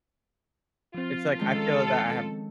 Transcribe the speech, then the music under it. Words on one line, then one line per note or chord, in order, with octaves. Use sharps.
It's like, I feel that I have
F3 C4 F4
D#3 G#3 C#4 A4